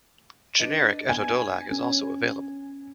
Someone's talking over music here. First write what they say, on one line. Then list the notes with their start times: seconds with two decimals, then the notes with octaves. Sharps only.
Generic etodolac is also available.
0.60 D4 B4 D#5
1.09 B3 G#5
1.71 C#4